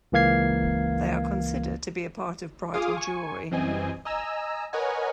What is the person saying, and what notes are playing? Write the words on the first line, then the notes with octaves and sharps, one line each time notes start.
They are considered to be a part of bridal jewellery.
C#2 E3 A#3 F5 G#6 C7
F4 G#4 F5 D6 D#6
G#5 C#6
F#2 E3 G3 C4 D#5 G#5
D#5 G#5 A#5 E6
A#4 B4 C#5 D#5 F#5 G#5